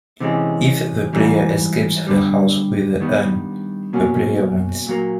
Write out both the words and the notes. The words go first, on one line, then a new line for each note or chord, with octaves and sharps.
If the player escapes the house with the urn, the player wins.
C3 E3 G#3 C#4
G#2 E3 G3
G2 D3 G3
G2 D#3 G3 B3
B2 F#3 A#3 C#4
A#2 F#3 A#3